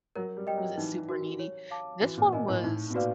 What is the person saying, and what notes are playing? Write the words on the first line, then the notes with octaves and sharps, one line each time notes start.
Was it super needy? This one was
F#3 A#4
G3
G3 D#5 G5
F#3
E3 D#4
F#4 A#4
C#5
F5 A5 D6
E3 F#4
A#2
A#2 A#4 D#5 G#5
A2
A2 D#4
B2
A#2 F#4 B4 D5 F5